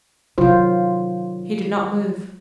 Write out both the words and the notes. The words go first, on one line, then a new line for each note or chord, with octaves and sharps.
He did not move.
C3 D#3 F#3 F4 C5